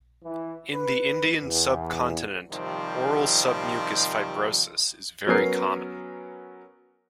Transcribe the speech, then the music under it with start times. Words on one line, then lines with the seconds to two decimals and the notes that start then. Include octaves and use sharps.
In the Indian subcontinent oral submucous fibrosis is very common.
0.23 E3
0.73 B4
1.44 E2
2.50 C3 D#3 F3 G3 C4
5.27 F#3 B3 C#4 A#4 C7